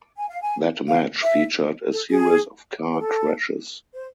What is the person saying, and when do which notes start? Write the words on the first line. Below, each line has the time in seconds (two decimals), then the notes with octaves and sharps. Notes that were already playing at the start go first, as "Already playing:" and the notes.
That match featured "a series of car crashes".
0.17 G#5
0.29 F5
0.41 G#5
0.87 F5
1.22 E5
1.93 A4
2.11 G#4
2.92 B4
2.99 A4
3.93 C5